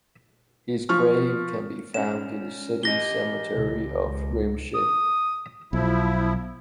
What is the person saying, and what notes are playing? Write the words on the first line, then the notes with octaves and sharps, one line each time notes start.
His grave can be found in the city cemetery of Remscheid.
F3 C#6 F6
G#2 C#4 E7
E3 G4 D#5 A#6 G7
C#2
D#6
B1 F3 E4